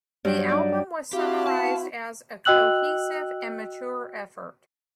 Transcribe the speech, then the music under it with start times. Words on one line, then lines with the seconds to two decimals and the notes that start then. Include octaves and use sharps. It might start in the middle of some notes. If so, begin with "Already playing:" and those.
The album was summarised as "a cohesive and mature effort".
0.25 G2 F#3 G5
0.49 D4 D#4 D5
1.13 C4 E4 F#4 G4 F5
1.47 A5
2.45 F#4 D#5 G5 E6 F#6 F#7